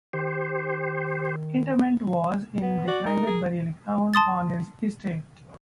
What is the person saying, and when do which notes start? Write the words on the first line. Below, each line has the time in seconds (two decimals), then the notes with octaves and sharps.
Interment was in the private burial ground on his estate.
0.13 D#3 G4 C5
2.62 B3
2.88 F#4 D5
3.06 D#4 A#4
3.27 G#4
4.14 A5 C6 D#6 A6